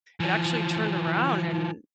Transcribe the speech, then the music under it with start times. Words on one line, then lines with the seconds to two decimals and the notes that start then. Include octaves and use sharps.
it actually turned around and
0.20 E3 F3